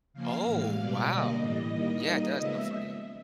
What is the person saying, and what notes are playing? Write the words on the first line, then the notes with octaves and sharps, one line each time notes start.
Oh, wow. Yeah, it does sound funny.
C#3 F3 A#3 F5
A2 E3 G#3
B2 G3 B3 D5
D3 G3 A#3 D#5
A2 E3 G3 D#5
D#3 G3 A#3
D#3 G3 A#3
C#3 F3 G#3 B3 E5